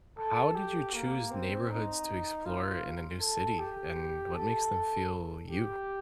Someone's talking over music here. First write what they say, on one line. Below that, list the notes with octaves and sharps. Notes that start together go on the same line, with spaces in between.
How did you choose neighborhoods to explore in a new city and what makes them feel you?
A4
G4
A#3
C4
D#4
F4
A4
G4
A4
G4